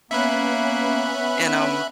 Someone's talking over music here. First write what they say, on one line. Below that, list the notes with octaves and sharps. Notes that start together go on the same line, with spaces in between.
and, um,
A#3 B3 C#4 E5 B5 F#6